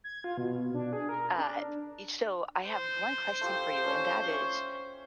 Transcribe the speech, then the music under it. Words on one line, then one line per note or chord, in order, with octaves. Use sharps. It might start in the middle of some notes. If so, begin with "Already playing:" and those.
uh, e so, I have one question for you and that is:
G#6
F4
B2
D4
G#4
A#4
D4
C5
A3 F4 G4
C#4 A5
E5 G#5 C#6